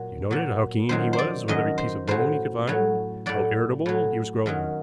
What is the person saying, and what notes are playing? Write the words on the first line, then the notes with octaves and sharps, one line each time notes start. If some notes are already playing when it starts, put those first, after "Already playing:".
You noted how keen he was with every piece of bone he could find, how irritable he was growing.
Already playing: A#2 F#3
A#2 F#3
F#2 D#3 F#3 C5
C5
D5
F#2 D#3 F#3 D#5
C5
A2 F#3 C5
A2 F#3
A2 F#3 D5
A2 F#3
F#2 D#3 F#3